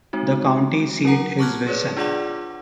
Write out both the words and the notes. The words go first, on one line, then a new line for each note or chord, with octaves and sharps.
The county seat is Wilson.
G#3 C4 D#4 F#4
F#3 A#4 F#5 A#5
A5 C#6 D6 F6 F#6 G#6
G#4 B4 C#5 D5
D4 F4 G#4 D5 F#5 D6